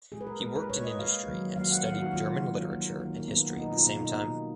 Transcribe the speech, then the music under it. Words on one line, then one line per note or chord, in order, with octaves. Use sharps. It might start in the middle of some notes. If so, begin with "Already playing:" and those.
He worked in industry and studied German literature and history at the same time.
A#2 G#3 G#4
B4
A#4
A#2 G#3 A#4
B4
A#2 G#3 C#5
D#5
A#2 G#3 F5
D#3 F#3 A#3
D#3 F#3 A#3 F5
F#5
D#3 F#3 A#3 F5
F#4
D#3 F#3 A#3 F4
F4
D#3 A#3
D#3 A#3
D#3 A#3
A#3
D#3 A#3 B3
B2 A#3 D#4
F4
B2 A#3 F4
D#4
B2 A#3